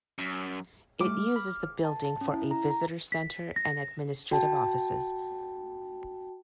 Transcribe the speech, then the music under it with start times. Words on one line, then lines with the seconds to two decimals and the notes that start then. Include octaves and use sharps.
It uses the building for a visitor center and administrative offices.
0.19 F#2
1.00 G3 A3 D6 F6
1.36 B5
1.84 A5
2.05 A5
2.21 C#4
2.33 E4
2.51 A#5
2.70 A#5
3.12 B6
3.56 A#6
4.31 F#4 G5 A5